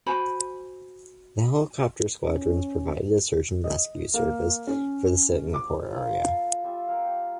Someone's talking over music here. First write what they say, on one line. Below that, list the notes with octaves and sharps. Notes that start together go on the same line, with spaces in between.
The helicopter squadrons provided a search and rescue service for the Singapore area.
F#4 C5 G#5 B5
C#4
D#5
A#3
C#4
D6
A#3 B3 F4
A4 G#5
G3 F4 E5
A#3 F5
G4 G5